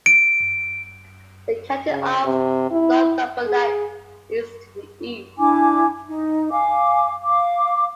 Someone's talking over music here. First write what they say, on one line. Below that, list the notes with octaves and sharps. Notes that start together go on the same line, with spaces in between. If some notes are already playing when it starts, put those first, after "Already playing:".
The county of Northumberland is to the east.
D7
C#3
C3
E4
G#4
D4 E4 G#5 D6
D#4
F5 G#5 D6
F5 D6